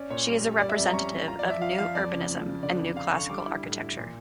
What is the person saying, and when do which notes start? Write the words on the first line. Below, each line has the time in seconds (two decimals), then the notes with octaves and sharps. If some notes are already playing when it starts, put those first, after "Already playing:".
She is a representative of New Urbanism and New Classical Architecture.
Already playing: C#4 D5
0.10 A#2 C#5
0.27 G3
0.44 G3
0.60 G3 D5
0.69 E5
0.77 F2 D5
0.86 A#5
0.94 C#4 C#6
1.11 F2
1.28 F4 A#5
1.39 D5
1.44 F3
1.50 E5
1.62 F3 F5
1.78 F3 F5
1.95 F2 D5
2.12 C#3
2.29 F2
2.46 C#3
2.63 D3 D5
2.79 F2
2.96 D4 F5
3.12 D3 C#6
3.30 G3 D6
3.47 E4
3.63 A2
3.80 E4
3.97 A#2